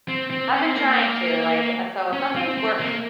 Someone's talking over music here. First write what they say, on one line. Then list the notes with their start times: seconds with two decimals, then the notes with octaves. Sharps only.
I've been trying to, like, so some things work
0.08 C4
0.31 C4
0.53 C#4
0.65 C4
0.76 A#3
2.13 C#4
2.36 C4
2.57 C4
2.81 A#3